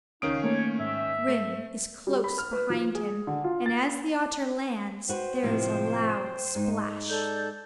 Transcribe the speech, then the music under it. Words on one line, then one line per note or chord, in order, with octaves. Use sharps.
Grim is close behind him, and as the otter lands, there is a loud splash.
C#2 D#3 C#4 D#4 A#4 F5 D#6 D7
A3 A#3 C#5
G#2 E5
A3
G3
B5
F6
B4
F3
G#4
D3
F4
A6
F#4 B4 C5 G5
A2 C3 F3
G#2 D#4
A4 D5 G6